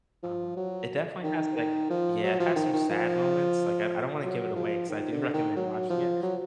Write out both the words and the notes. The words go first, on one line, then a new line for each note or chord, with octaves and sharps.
um. It definitely has, like Yeah, it has some sad moments, like, I I don't wanna give it away 'cause I do recommend watching it
F3
F#3
D#3
D#3
F3
F#3
F3
D#3
D#3
F3
F#3
F3
D#3
D3
D#3
F#3
F3
F#3